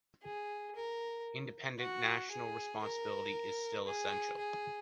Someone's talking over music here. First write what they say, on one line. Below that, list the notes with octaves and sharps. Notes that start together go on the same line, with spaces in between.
Independent national responsibility is still essential.
G#4
A#4
F#4
G#4
A#4
G#4
G#4